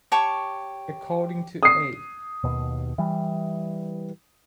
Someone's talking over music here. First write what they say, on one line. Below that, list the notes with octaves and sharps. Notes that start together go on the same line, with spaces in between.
According to A.
G4 C#5 A5 C#6
D#6 C7
D#2 B2
E3 G3